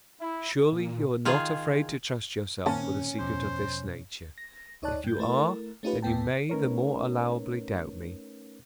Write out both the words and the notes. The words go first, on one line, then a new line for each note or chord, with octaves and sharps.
Surely, you are not afraid to trust yourself with a secret of this nature: if you are, then you may the more allowably doubt me.
E4
A#2
D#3 F4 G#4
A#2 D#3 A#3 C4 C#4 A5
E2 B2 F3 C5
A#6
D2 D#4 C#5 D5 A5 F#6
G2 G6
A3 E4 A#4
A3 C#4 D#4 F4 G4 B4
D#2 G#2 B2 B3 G5 A5
A3 C#4 D#4 A#4 B4 C#5